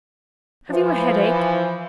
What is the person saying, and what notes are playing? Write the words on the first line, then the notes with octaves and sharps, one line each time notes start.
Have you a headache?
E3 F3